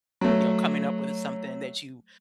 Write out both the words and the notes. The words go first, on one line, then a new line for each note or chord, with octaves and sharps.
you know, coming up with, uh, something that you,
F#3 A3